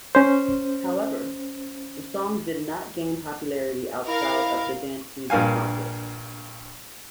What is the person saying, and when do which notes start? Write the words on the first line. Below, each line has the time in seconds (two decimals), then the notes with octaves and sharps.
However, the song did not gain popularity outside of the dance music market.
0.15 C#4 C5
4.07 E4 A#4 F5
5.30 A#1 G2 A#3 F5 G#5